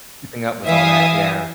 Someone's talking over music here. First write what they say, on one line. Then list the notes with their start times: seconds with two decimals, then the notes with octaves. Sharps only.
keeping up with all that, yeah.
0.66 E3 E5 F5 D#6